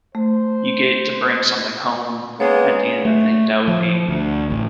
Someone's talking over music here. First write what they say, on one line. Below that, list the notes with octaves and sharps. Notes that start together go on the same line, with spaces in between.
you get to bring something home at the end, I think that would be
A3 C5
G#3 A#3 B3 C#4 C#5
A3
F3
D2
A1